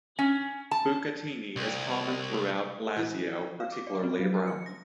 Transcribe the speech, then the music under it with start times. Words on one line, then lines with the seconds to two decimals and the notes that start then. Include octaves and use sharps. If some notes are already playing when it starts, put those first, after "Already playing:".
Bucatini is common throughout Lazio, particularly Rome.
0.19 C#4
0.71 A5
1.56 C2
2.97 E3
3.60 F5
3.72 D6
3.87 D5
4.03 C4
4.19 F#3
4.34 A#4
4.47 C#7
4.66 A#6